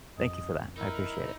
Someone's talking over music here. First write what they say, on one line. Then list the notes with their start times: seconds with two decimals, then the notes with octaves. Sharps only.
thank you for that. I appreciate it.
0.18 F2 D#5
0.77 D#4 E4 A#4